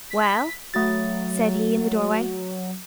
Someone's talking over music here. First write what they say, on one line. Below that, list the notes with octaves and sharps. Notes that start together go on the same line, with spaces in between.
"Well?" said he in the doorway.
B6
F#3 A3 A6